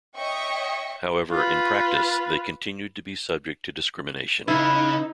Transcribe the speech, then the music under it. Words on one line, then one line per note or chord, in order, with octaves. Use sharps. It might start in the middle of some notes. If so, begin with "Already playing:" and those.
However, in practice, they continued to be subject to discrimination.
C#5 D#5 E5 G5 C#6
F4 B4
C#3 D#4 E4 B4